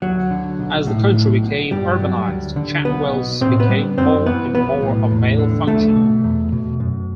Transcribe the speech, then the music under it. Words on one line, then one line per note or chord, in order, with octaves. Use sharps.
As the country became urbanized, chantwells became more and more a male function.
D2 F#3 F#4
D3
B1
A2
B1
B2
G2 G3 G4
F#3
D2
D3
B1 B3 B4
B2
A2 C4 C5
B3 B4
G3
F#2 C4 C5
E3 B3 B4
B1 B3 B4
A2
E2
D3
B1 A3 A4
B2
E2
B2
F#2